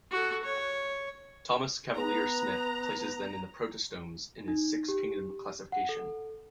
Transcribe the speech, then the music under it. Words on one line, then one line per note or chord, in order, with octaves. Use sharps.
Thomas Cavalier-Smith places them in the protostomes in his "Six Kingdom" classification.
F#4 A4
C#5
B3 B4 A#5
D#4
G4
F#5
A4